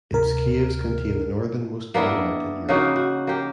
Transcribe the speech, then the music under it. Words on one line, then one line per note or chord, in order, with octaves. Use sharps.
Its caves contain the northernmost cave art in Europe.
D2 C3 A#4
A#3 B3 D4 E4
C#3 A#3 D#4 F#4
F#4
A#3 G4